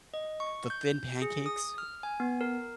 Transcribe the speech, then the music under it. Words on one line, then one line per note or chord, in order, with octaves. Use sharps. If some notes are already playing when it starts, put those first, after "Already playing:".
the thin pancakes?
D#5
C#6
G6
G#4
D#6
F6
G#5
B3
A#4